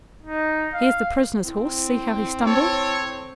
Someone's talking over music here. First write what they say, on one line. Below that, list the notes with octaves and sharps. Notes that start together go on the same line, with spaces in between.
Here's the prisoner's horse, see how he stumbled?
D#4
F5
C4 E4
A4 C#5